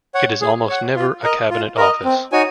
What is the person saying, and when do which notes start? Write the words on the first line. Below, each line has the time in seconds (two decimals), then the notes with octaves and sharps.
It is almost never a Cabinet office.
0.15 C#5 F#5
0.41 G#4
0.69 C#5 F#5
0.96 F4
1.23 A#4 D#5
1.50 F4
1.77 A#4 D#5
2.04 C4
2.32 D#4 F#4 C#5 G#5